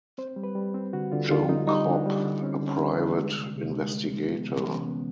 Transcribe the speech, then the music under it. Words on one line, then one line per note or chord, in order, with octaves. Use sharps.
Joe Copp, a private investigator.
C4 C5
G3
B4
G3
C4
D3 F#4
D3 F4
D3 F4
G3 D#4
G3 D#4
D3
D4
G3
D4
D3
C4 C#4
D3
C#4
G3
D4
D3
G#3
C3
C3
G#3
G#3
E3
B3
C3
E3 C#4
B3